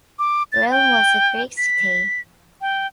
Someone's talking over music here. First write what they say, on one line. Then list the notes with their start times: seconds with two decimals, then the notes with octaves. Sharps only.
Rome was a Greek city.
0.19 D6
0.52 A6
0.70 G5
1.57 B6
2.61 G5